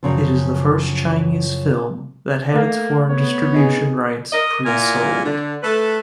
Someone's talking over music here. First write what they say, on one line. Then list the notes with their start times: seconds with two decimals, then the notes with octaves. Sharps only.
It is the first Chinese film that had its foreign distribution rights pre-sold.
0.03 F#2 C#3 F3
2.54 A3 A#3
3.09 B3 C#5
3.54 D#4 G#4
4.32 A#4 D#5
4.66 A#2 A#3 B3 E4 A#4 G#5
5.25 D3
5.63 A3 A4 B4